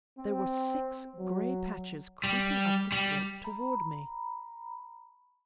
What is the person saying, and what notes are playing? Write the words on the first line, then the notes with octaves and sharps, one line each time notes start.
There were six gray patches creeping up the slope toward me!
C4
F#3
G3
G3
A#5 B5